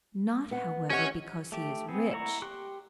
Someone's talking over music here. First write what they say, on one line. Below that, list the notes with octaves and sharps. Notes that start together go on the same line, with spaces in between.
"Not, however, because he is rich."
B3 F#5
C#4 G4 C#5 D#5 F#5
A3 G4
B3 C4 G#4
E4 F#5 A#5 C#6
G4 G5 C6 C#6 F#6